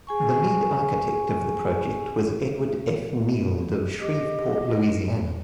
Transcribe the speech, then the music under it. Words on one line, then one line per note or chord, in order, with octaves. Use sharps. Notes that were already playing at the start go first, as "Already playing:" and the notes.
The lead architect of the project was Edward F. Neild of Shreveport, Louisiana.
G#4 G#5 C#6
G4 D#5